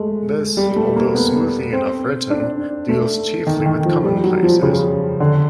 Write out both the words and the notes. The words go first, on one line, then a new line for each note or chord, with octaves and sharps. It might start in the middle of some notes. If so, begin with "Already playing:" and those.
This, although smoothly enough written, deals chiefly with commonplaces.
Already playing: G#3 A3
G3
A3
A#3
B3
C4
D4
A3
D#3
D#3
F3
G3
F#3
F3
C#3
D3